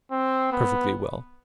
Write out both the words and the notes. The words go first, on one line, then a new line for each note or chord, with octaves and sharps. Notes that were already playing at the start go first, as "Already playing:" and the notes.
"Perfectly well."
C4
B3